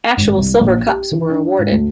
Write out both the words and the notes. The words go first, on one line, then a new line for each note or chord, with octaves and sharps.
Actual silver cups were awarded.
G#1
C2
A#1
G4
E3
D4
G#2
D2